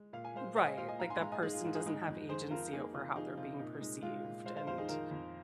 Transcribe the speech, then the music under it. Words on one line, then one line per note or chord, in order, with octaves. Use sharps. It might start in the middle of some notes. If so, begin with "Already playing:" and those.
Right, like, that person doesn't have agency over how they're being perceived, and
Already playing: G#3
A#2 F5
G#5
G#3 C5 F5
G#3 C5 F5
D#5 G#5
A#2 C5 F5
D#5 G#5
G#2 F5 A#5
G#5 C6
G#3 F5 A#5
D#5 G#5
G#3 D#4 G#4
F4
G#2 F4
D#4 G#4
G#3 D#4 G#4
F2
D#3 G#4 C5
F2 F4 A#4
A#3 D#4 G#4
C3 F4
F3 D#4 G#4
C3 F4
A#2 D#4
G#3 D#4
G#3 F4
A#2
G#3 C5 F5
C5 F5
F2 C5 F5
D#4 G#4
D#3 F4 A#4
F2